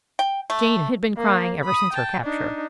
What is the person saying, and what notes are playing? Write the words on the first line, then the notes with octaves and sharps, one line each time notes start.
Jane had been crying ever since her capture.
G5
A3
A#3
B5 D#6
G5 A5
D4 D#4